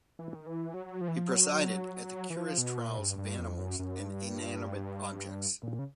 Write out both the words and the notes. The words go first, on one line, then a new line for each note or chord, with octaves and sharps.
He presided at the curious trials of animals and inanimate objects.
E3
D#3
E3
F#3
F3
E3
F3
F#3
E3
F3
B2
A#2
G2
G2
F2
F#2
F#2
G2
A#2
C#3